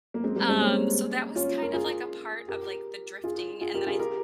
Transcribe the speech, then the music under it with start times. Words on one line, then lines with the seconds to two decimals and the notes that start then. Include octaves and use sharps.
um, so that was kind of like, a part of like, the drifting, and then I
0.14 A#3
0.24 G#3 C4
0.35 G3 A#3
0.49 G#3 C4
0.61 A#3 C#4
1.36 C#4 F4
1.62 A#4
1.73 F4 G#4
2.48 G4 A#4
3.24 F4 G#4
3.61 F4 G#4
3.74 G4 A#4
3.87 F4 G#4
3.99 G4 A#4